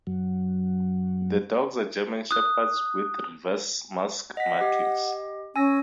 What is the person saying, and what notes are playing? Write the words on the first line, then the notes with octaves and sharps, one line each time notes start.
The dogs are German Shepherds with "reverse mask" markings.
F#2 F#3
D#6 F#6
D#5 F#5 B6
G4 D#5
C#4 G#5 E6 A#6